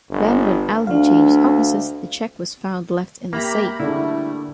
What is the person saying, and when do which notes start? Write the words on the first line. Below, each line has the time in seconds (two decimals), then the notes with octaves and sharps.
Then when Allen changed offices, the check was found left in the safe.
0.10 G1
0.87 D2 D4 F5
3.33 A#3 G4 E5 A#5 B5
3.80 D3 G3 A3 D4 E4 G#4